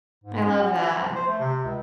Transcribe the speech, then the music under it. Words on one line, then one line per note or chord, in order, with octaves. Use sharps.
I love that.
G#2
C#4
F#4
F3
C5
A3
C3
C#2